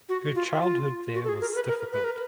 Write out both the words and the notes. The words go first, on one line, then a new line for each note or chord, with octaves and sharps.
Her childhood there was difficult.
F#4
F4
F4
F#4
A4
G#4
A#4
B4
A#4
B4
A#4